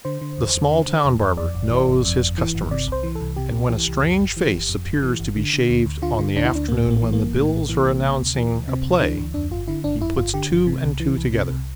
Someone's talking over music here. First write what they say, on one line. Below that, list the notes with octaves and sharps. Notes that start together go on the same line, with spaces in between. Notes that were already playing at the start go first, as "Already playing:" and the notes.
The small-town barber knows his customers and when a strange face appears to be shaved on the afternoon when the bills are announcing a play, he puts two and two together.
D3 C5
D3
E2
E2
D3
D3
E2
E2
F2 D5
G1
E3
G1
F2
G1
E3
G1
C3 D5
C2 C5
E3
A4
C2
C3 G4
C2
E3
C2
F2
G1
E3
G1
F2
G1
E3
G1
D3
D3
D2
D2
D3 F4
D3
D2 D4
E4
D2 D4
A2 A#3
A#1 A#3
E3
A#3
A#1
A2
A#1
E3
A#1
C3
D2
E3
D2
C3 C4
D2
E3 D4
D2
F2 D4
G1 F4
D3 E4
G1 D4
F2 E4
G1 F4
D3 G4
G1
C3
C2
E3
C2
C3
C2